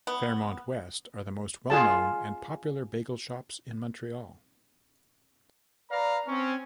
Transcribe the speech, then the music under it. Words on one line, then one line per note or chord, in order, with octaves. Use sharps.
Fairmont West are the most well-known and popular bagel shops in Montreal.
B3
F4 G#4 A5
B4 D5 F5 A#5
C4 C#4